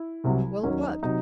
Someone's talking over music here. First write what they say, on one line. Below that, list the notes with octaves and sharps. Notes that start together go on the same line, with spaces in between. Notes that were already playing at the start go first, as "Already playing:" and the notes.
"Well, what?"
Already playing: E4
C2 C3 F#3
D#2 D#3 F#3 C#4
D#4
C3 F#3 D#4